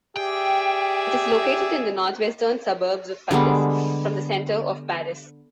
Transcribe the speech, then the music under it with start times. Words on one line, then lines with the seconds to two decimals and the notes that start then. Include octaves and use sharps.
It is located in the north-western suburbs of Paris, from the center of Paris.
0.17 G4 G#4 D5 E5 G5
3.31 D3 G3 G#3 B3